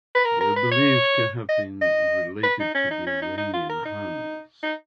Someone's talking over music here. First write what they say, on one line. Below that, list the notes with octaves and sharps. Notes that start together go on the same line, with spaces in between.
They are believed to have been related to the Iranian Huns.
B4
A#4
A#4
B4
C#5
D#5
D#5
B4
D#4
C#4
D#4
C#4
D#4
D#4
F4
A#4
D#4
D#4